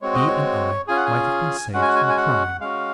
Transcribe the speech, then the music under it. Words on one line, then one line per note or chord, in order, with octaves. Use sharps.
B. and I might have been saved from crime.
G#3 C4 F#4 C#5
D#5
C#5
C#4 F4 G#4 G#5
F#5
G#5
G#3 C#4 F#4 F#5
G#5
F#5
G#5
F#5
G#5
F#5
G#3 C#4 F#4 F5